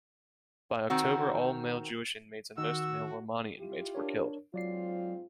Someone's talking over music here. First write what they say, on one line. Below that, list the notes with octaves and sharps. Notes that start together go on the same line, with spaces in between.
By October, all male Jewish inmates and most male Romani inmates were killed.
D#3 C4 F#4
D#3 F#4 E6
E4 F4 G4
D4 A#4 C#5
G#2 F#3 C4 F4 D5 C7